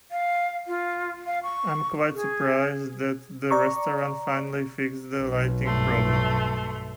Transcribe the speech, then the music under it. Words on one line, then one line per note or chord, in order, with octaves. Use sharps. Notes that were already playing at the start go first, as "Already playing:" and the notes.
I am quite surprised that the restaurant finally fixed the lighting problem.
F5
F4
F5
C#6
G#4
D5 A#5 C#6
B1
G2 A3 C6